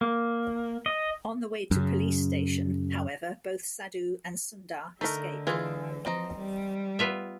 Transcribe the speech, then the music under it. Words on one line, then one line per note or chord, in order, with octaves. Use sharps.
On the way to Police Station, however, both Sadhu and Sundar escape.
A#3
D#5
F#2 C#3
D3 A3 D#4 A#4
E3 G#3 F4 G#4
F3 C4 D#5 A#5
G3
B3 F4 E5